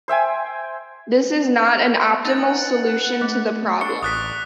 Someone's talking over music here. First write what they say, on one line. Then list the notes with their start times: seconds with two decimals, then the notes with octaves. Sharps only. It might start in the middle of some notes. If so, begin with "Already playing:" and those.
This is not an optimal solution to the problem.
0.08 C5 E5 G5 G#5
2.25 D#4 B4 F#5 A6
3.21 A3
3.81 G#2 D4 C#6 C#7
4.03 A1 D5 D#6 F#6 B6